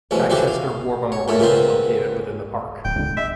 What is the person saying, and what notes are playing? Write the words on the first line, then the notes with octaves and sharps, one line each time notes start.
Chichester War Memorial is located within the park.
A1 E2 G#2 F3 C#4
D3 E3 C4 F#4 G4 G5
F5
C#5
A#2 A3 C#5
C#2 A#2 C#3 B3 C4 C5
D1 G5
C#2 B2 D3
G#3 E5